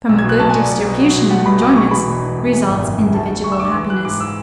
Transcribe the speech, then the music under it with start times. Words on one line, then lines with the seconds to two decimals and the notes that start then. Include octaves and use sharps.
From a good distribution of enjoyments results individual happiness.
0.09 B1 E6
0.19 G#6
0.24 B2
0.29 F#6
0.39 B1 A5
0.50 G#5
0.55 B1 D5
0.69 B1
0.85 B2
1.00 F#3
1.16 B1
1.31 A3 F#5
1.46 B2 B5
1.61 B1 D6
1.76 B2 C#6
1.91 E3 B5
2.07 E1
2.22 E3
2.38 E1
2.52 E3
2.68 G#1
2.83 F#2
2.98 F#2
3.13 D2 A5
3.29 D2
3.44 D2 C#6
3.52 E6
3.59 D3 D6
3.74 E3 E6
3.90 E3 F#6
4.05 G#2 D6
4.20 E6